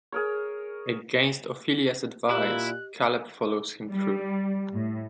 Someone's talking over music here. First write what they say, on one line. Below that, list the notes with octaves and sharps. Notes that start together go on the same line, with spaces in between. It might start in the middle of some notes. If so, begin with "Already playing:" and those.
Against Ophelia's advice, Caleb follows him through.
G#4 A#4 C#5
A#2 E4 G4 D#5 F#6 F#7
G3
A2